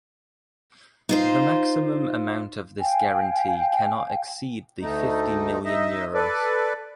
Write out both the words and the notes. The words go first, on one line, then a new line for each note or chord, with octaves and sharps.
The maximum amount of this guarantee cannot exceed the fifty million euros.
D#4 F4 C5
F5 G5 G#5
D2 A3 D#4
D#4 D#5 E5
A4 B4 D5